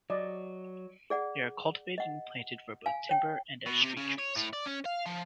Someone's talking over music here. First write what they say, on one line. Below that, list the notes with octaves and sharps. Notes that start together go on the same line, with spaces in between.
They are cultivated and planted for both timber and as street trees.
F#3 D5 D#5
G#4 D5 F#5
D#5 F#5
F5 G#5
C#5 G5
B2
C3
C#3
C#5
A2
D5
C#4
F5
F3